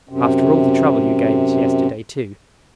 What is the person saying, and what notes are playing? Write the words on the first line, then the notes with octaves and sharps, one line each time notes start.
After all the trouble you gave us yesterday too!
F#2 C3